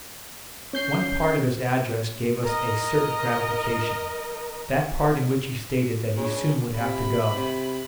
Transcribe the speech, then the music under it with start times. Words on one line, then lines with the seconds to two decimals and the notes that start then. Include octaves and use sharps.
One part of his address gave us a certain gratification--that part in which he stated that he soon would have to go.
0.73 C#4 G6 C7
2.43 A#4 D#5
6.17 C#3 D4
6.76 C3 B5
7.35 C3